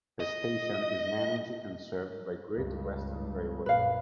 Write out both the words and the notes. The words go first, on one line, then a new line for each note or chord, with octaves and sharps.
The station is managed and served by Great Western Railway.
D#5
C#2 G2
A#1 F#2 B4 F5